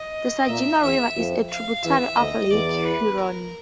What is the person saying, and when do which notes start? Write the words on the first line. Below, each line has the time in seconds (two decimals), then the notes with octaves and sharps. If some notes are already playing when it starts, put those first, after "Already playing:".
The Saginaw River is a tributary of Lake Huron.
Already playing: D#5
0.48 A#2 A#3 E5
0.82 E2 E3 E5
1.16 F2 F3
1.49 F5
1.83 E2 E3 E5
2.17 D2 D3 D#5
2.51 E2 E3 D5
2.84 B4
3.18 A#4